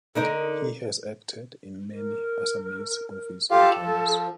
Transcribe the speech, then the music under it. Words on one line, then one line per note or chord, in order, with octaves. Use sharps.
He has acted in many Assamese movies and dramas.
D3 D#4 A#4
A#4
F4 G4 A4 F5
F3